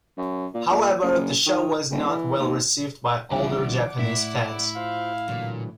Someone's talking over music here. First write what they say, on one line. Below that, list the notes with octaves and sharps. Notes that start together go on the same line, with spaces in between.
However, the show was not well received by older Japanese fans.
F#2
A#2
A#2
F#1
D#3
D#1
E3
D#2
C2 D3 E3 F4 D5 E5 F#5 D6
A2 E4 E7
F4 C5 F5
A#2 D3 E3 F#3